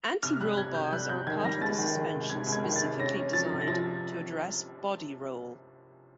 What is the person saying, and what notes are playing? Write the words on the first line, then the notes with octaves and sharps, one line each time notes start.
Anti-roll bars are a part of the suspension specifically designed to address body roll.
C3 F6
G3 F#6
C3 G#6
C3 G6
G3 F#6
C2 G6
D#3 G#6
G3 A#6
C#2 A6
D#3
D#3
C3
C3 G#6
C#2
G#6
D#3
A6
C3
C#4 A#6
C#4
F3 A6
C3
A#6
F3 A6